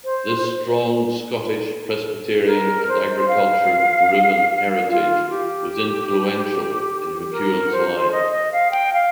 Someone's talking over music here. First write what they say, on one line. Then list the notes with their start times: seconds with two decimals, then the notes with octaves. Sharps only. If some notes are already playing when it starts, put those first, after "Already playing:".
This strong Scottish, Presbyterian, and agriculture-driven heritage was influential in MacEwan's life.
0.05 C5
2.46 A#4
2.87 C5
3.28 F5
4.89 F4
5.29 G4
7.31 A#4
7.72 C5
8.12 D#5
8.32 D#5
8.51 F5
8.72 G5
8.93 F5